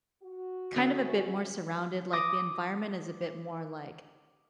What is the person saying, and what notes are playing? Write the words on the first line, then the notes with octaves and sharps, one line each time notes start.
kind of a bit more surrounded, like, the environment is a bit more like
F#4
D3 F#3 A3 C#4 E5
D6 D#6 A#6